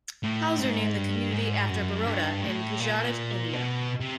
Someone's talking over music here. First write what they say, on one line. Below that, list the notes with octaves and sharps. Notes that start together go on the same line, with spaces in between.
Houser named the community after Baroda in Gujarat, India.
A2
G#2
G2
G#2
F#2
G2
A2
A#2
B2
C3